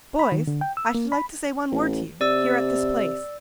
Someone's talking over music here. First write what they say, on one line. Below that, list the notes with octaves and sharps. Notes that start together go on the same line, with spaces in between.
"Boys, I should like to say one word to you, here at this place."
B5
D#3
D3
G5
E6
A#3
B5
A1
C3 D5 E6